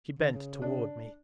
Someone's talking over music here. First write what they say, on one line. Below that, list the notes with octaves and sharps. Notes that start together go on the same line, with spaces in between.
She bent toward me.
D3
C#3
D4